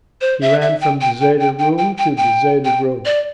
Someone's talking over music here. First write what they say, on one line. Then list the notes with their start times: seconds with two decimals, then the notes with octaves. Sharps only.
He ran from deserted room to deserted room.
0.21 C5
0.42 E5
0.61 E5
0.81 G5
1.01 G5
1.21 G5
1.40 G5
1.59 G5
1.78 G5
1.98 G5
2.17 G5
2.65 G5
3.05 D5